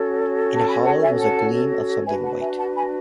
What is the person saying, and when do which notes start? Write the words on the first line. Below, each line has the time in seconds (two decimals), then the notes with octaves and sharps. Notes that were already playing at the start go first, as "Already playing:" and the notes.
In a hollow was a gleam of something white.
Already playing: C#4 F#4 A4 C#5
0.57 A5
0.67 G#5 B5
0.84 F#5 A5
1.02 E5 G#5
1.19 F#5 A5
2.05 D4 F#4 B4 E5 G#5
2.23 F#5 A5
2.40 E5 G#5
2.57 F#5 A5
2.74 G#5 B5